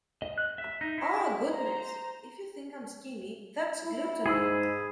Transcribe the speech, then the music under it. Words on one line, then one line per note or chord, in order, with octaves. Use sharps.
Ah! Goodness! If you think I’m skinny... that’s gluttony!
D#5
F#6
E5
D#4
E4
C5 A#5
E4
G#2 G#4 B5 E6